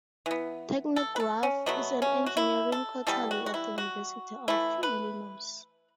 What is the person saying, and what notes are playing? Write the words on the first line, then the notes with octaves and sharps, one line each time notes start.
"Technograph" is an engineering quarterly at the University of Illinois.
E3 B3
A4
B4
A4
C#4
B2 F#3 A3 B3
C#4
F#4
E4
A4
E3 G3 B3 A4
F#4
F#4
E4
F#4
E3 A3 E4
B4